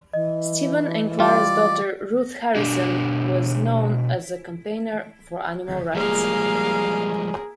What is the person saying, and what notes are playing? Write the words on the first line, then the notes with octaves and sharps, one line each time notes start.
Stephen and Clara's daughter Ruth Harrison was known as a campaigner for animal rights.
E3 D#5
G3 F4 D5
B2 D4 G4
F3 G3 G#3 A#3 G#4 A#4 F5